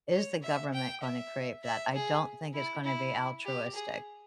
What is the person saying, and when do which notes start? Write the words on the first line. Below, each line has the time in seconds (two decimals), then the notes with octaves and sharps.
is the government gonna create for that? I don't think it's gonna be altruistic.
0.13 C#5
0.43 E5
0.73 G5
1.03 E5
1.64 E5
1.94 G#4
2.54 E4
2.84 E4
3.45 G4
3.74 G#4